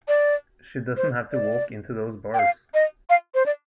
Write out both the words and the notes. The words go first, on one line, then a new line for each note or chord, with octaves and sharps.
She doesn't have to walk into those bars.
D5
C5
D5
G5
F5
D#5
F5
C5
D5